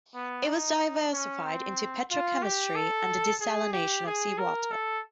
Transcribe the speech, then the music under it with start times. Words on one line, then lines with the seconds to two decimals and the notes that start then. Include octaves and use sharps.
It has diversified into petrochemistry and the desalination of seawater.
0.15 B3
0.47 D#4
1.12 C#4
1.45 C4
2.11 F4
2.42 G4
2.75 A4
3.40 G#4
3.73 G4
4.06 G#4
4.38 A#4
4.71 A4